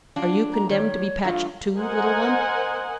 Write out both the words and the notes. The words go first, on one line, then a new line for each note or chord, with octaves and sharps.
"Are you condemned to be patched, too, little one?"
F#3 D4 F4
A#5
D#3 G3 C#5
G2 E3 A3 F4
A#4 C5 D#5 F#5 G#5